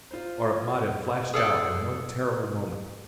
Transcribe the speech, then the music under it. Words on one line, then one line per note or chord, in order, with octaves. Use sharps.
Or it might have flashed out in one terrible moment.
F4 C5
G#4 A4 D5